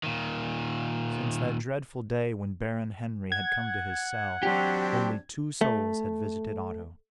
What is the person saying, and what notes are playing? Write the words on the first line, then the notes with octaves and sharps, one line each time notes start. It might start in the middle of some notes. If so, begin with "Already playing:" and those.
Since that dreadful day when Baron Henry had come to his cell, only two souls had visited Otto.
A#2 D#3
F#5 G#6
F#3 C4 D4 G4
A3